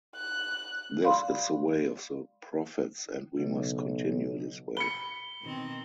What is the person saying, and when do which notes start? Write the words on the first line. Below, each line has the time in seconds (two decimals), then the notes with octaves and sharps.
This is the way of the prophets and we must continue this way.
0.15 F#6
1.04 D5 F5 B5 C6
3.37 B1 C#3 F#3
4.77 B5 C#7 G7
5.41 B2 D#3 C4